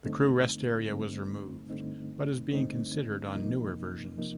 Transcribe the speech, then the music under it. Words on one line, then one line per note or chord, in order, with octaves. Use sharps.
The crew rest area was removed, but is being considered on newer versions.
G2 D3 A3 C4 D#4
G2 D3 A3 C4 D#4
G2 D3 A3 C4 D#4
G2 D3 A3 C4 D#4
D2 C3 F3 A#3 D#4
C3 F3 A#3 D#4